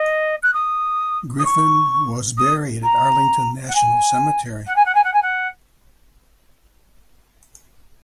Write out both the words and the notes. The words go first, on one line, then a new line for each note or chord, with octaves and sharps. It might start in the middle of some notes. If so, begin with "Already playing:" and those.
Griffin was buried at Arlington National Cemetery.
Already playing: D#5
F#6
D#6
D#6
C#6
D#6
A#5
F#5
G#5
F#5
G#5
F#5
G#5
F#5
G#5
F#5